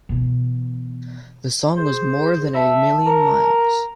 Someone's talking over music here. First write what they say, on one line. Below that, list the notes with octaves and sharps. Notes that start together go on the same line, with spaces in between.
The song was "More than a Million Miles".
B2 E3
G#4 C5
E5 A5
A#4